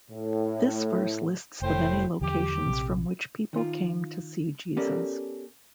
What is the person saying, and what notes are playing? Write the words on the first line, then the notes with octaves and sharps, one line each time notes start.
This verse lists the many locations from which people came to see Jesus.
A2
F1 A2 C5 G5
E2 D3 F3 G4
A#1 C3
D#3 F4
B3 C#4 G4 A4 A#4 D5